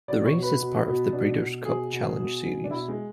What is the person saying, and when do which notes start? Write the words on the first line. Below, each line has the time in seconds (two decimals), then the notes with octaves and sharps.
The race is part of the Breeders Cup Challenge series.
0.08 B2 D5
0.25 C#5
0.34 B2
0.42 B4
0.60 B2
0.87 B2
1.13 B2 D4
1.39 B2
1.65 B2 G#4
1.91 B2
2.18 B2
2.44 B2
2.64 D4
2.70 B2 E4
2.88 G#3